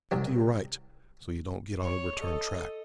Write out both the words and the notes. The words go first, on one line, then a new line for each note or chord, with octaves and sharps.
Keep to your right so you don't get on the return track.
C2 F#2 G4
C#5
A4 D#5